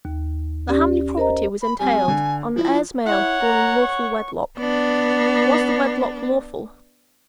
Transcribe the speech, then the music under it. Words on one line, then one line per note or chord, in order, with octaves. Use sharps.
The Hamley property was entailed on "heirs male born in lawful wedlock." Was the "wedlock" lawful?
D#2
C#4 G4 D5
A#4 C5 D#5 A#5
B5
F2 G3 G#5
D3
F3 E4
E4 C#5 F#5
A#5
C#6
B3 D4